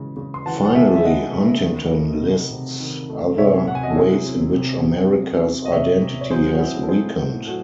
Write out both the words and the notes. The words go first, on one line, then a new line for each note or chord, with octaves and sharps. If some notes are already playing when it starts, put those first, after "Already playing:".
Finally, Huntington lists other ways in which America's identity has weakened.
Already playing: C#3 E3 G#3
C#3
C6
E3 F#5 A5
F#5
G#3 E5 G#5
E5
C#3 D#5 F#5
C#3
D#3
A3
C3
C3
D#3
A3
C3 C#5 E5
C3 F#5
G#5
D#5 F#5
A4
F#3 E4 G#4
C4
C3
C3
F#3
C4
D#5
C3 C#5 E5
C3
C#5
F#3 G#4 C5
F#4
C4 E4 G#4
A4
A2 G#4 C5
A2
F#3 F#4 A4